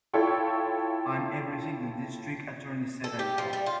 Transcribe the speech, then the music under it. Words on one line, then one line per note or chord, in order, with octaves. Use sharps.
I'm everything the District Attorney said I was.
E4 F4 A4 C#5 G5 C#6
A4
G4
F3
G3
F4